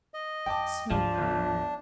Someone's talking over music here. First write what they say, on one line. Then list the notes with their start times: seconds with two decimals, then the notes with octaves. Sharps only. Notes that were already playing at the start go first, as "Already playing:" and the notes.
Snow Cream.
0.14 D#5
0.46 F2 G5 A5 D6
0.90 D2 G#2 F3 D4
1.18 G1